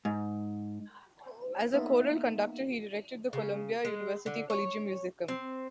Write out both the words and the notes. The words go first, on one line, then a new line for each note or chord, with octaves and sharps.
As a choral conductor he directed the Columbia University Collegium Musicum.
G#2
A#3 B3 D#4 E5
C#3
G#3
D3
C#5
C4